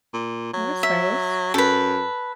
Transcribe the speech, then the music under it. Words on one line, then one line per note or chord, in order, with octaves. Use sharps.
Well, that's nice.
A#2
F#3
E5
F#2 A4 B4